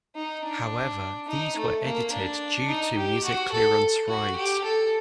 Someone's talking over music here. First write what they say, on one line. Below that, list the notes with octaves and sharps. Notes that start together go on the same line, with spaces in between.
However, these were edited due to music clearance rights.
D#4
D4
D#4
A3
A#3
D4
D#4
G4
F#4
A4
F#4
G4
A4